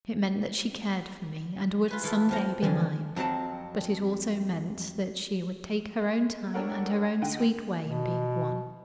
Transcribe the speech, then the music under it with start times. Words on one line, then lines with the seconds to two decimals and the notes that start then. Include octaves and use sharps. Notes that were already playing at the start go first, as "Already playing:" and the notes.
It meant that she cared for me, and would, some day, be mine; but it also meant that she would take her own time and her own sweet way in being won.
1.88 F4 B4 G#5
2.03 E3 F4 A4
2.29 F2 F3 A#5
2.63 F2 D3 E3 G#5
3.16 F2 F#3 C4 A5
6.54 D4 G4 A4 A#4 C#5 F#5
7.22 D3 D#4 F#5 G5 D#7
7.85 B2